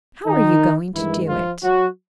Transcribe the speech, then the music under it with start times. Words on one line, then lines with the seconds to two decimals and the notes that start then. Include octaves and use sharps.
"How are you going to do it?"
0.25 D#3 D#4
0.93 G2 D#3 E3 G#3 E4
1.28 F3 F4
1.62 F#3 F#4